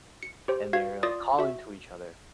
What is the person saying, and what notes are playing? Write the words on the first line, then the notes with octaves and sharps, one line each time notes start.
and they're, like, calling to each other.
C#7
G4 C5
F#4 F5 G#6
F4 D5 C6 D#6
F#4 E5